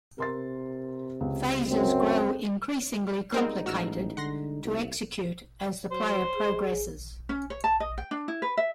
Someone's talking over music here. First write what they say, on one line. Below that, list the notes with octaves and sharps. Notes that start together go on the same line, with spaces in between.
Phases grow increasingly complicated to execute as the player progresses.
C3 A#4 C6 A6
C#2
F#2 C4
G3 G#3 A#3 C4 D#4 A#4
A1 F#4 E6 F6
D3 F#5 C6 A#6
C2
F#3 C5
G#4
C#4
C#5
A5
D#5
G5
D4
E4
B4
E5